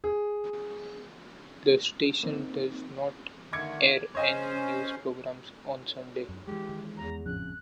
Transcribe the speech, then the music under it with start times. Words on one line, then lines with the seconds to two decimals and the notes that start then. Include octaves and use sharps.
The station does not air any news programs on Sunday.
0.04 G#4
2.23 A#3 C4 D#4
3.53 D3 D#3 A3 D6 G#6 C#7
4.15 C#4 C5 C#5 D#5 G#5
6.29 F#2
6.47 E3 G#3 G4
6.69 D#3
6.97 E2 A#5
7.26 G#1 F2 A2 C#3 F3 F#6